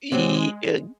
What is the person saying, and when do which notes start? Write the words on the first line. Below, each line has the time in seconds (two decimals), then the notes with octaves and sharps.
Ye uh,
0.12 C3 F#3 G#3 C4